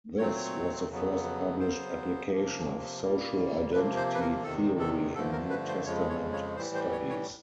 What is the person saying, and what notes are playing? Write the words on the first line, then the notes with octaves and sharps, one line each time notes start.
This was the first published application of social identity theory in New Testament studies.
A#2 F#3 A3 C4 C#5
C#5
F2 C#3 F#3 B3
C#3 F#3 B3 C5
C3 F3 A#3
A#2 G3 A#3
C3 F3 A#3 B4
C5
B4
A#4
E2 C3 D#3 A4
A4
G2 D3 F3 A3 A4
A#4
B4
C5
F2 C#3 F3 G#3 C#5
C#5
C#5
A2 E3 G3 C5
C5
C#5
C#5